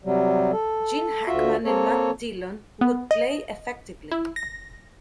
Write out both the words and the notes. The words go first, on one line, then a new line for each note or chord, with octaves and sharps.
Gene Hackman and Matt Dillon would play effectively.
C3 F#3 G3
A4
D2 F4 F#4 E5
A#3 C4 A4 C#5
B3
D#5
E4
A#6